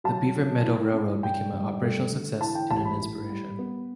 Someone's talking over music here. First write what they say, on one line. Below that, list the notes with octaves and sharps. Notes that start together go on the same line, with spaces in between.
The Beaver Meadow Railroad became an operational success, and an inspiration.
F#3 A5
C#4
E4
C#4
G2 G5
G2
A3
D3
E3 A5
G5
A1 A5
B5
A2
G3
B3